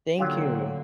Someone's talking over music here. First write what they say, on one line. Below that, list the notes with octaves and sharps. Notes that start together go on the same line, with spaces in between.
Thank you.
D3 F#3 A#3 F4 G4